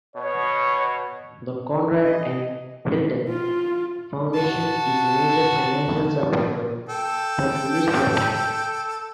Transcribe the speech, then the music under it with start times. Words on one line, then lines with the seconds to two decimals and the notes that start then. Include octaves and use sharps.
The Conrad N. Hilton Foundation is a major financial supporter of the newspaper.
0.16 B2 C#5
2.05 D#5
3.28 F4
4.33 F#4 A5
6.89 A4 G5